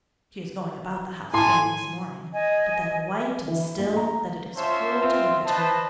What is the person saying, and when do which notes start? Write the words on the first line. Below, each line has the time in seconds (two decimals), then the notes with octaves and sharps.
She is going about the house again this morning, but that white and still that it is cruel to look at her.
1.33 A2 G#5 A5 C6
2.33 D#5 G#5
3.48 E3
3.78 A#1
3.97 A#5
4.57 C#4 F4 C5 C#5 E5 A5
5.01 C4 F4 E5
5.46 B4 C5 D#5 A5